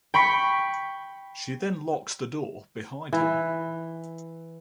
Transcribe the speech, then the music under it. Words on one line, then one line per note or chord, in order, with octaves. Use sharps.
She then locks the door behind him.
G5 B5 C#6 B6
E3